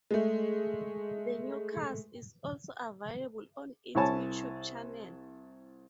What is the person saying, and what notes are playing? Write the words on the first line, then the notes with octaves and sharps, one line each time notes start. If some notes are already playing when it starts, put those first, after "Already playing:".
The newscast is also available on its Youtube channel.
G#3 A3
C2 E4 C#5 G#5 A5